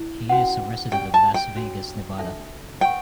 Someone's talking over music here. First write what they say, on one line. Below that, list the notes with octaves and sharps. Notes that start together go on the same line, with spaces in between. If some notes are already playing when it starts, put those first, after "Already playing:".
He is a resident of Las Vegas, Nevada.
Already playing: E4
C#4 F#4 B4 F#5
C#4 G4 D5 G5
A5
G5
D4 F#4 C#5
D4 A4 E5 A5
B4 F#5 G5 C#6